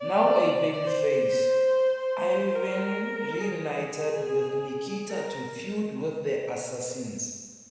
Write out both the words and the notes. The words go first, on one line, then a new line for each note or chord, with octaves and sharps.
Now a babyface, Ivan reunited with Nikita to feud with the Assassins.
D5
D5
C5
A#4
G#4
A#4